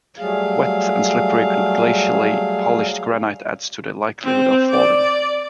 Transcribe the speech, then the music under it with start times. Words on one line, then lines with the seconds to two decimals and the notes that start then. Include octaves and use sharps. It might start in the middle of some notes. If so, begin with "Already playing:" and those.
Wet and slippery glacially polished granite adds to the likelihood of falling.
0.19 F#3 G3 A3 G#4 F5
4.24 C4
4.69 D5